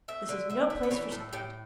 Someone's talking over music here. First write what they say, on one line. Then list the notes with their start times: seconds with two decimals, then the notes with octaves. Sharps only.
This is no place for sentiment.
0.08 A3 E5
0.29 D3
0.50 D3 E5
0.70 A3
0.83 B4
0.91 E3 C#5
1.12 A2 A4
1.33 A2 G4